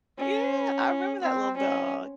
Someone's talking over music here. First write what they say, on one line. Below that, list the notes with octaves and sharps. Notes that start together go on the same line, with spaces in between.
yeah, I remember that little dog,
C#4
C4
C#4